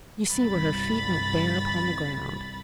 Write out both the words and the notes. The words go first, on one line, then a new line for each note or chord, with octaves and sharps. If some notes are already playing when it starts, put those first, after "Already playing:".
You see where her feet went bare upon the ground.
G1 C2 B5 A6